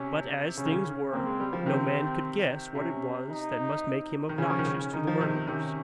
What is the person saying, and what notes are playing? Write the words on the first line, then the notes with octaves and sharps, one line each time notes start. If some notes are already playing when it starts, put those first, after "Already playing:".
But, as things were, no man could guess what it was that must make him obnoxious to the murderers.
Already playing: C3 C#4
C#3 C#4
D#3
C#3
A#3 C4
G#3
G3
F3
C3 D#3 C4
C3 C#4
D#4
D#3
C#3 C#4
F3
D#3
C#3
D#3 D#4
F3
C3 D#3
C3 D#3 C#4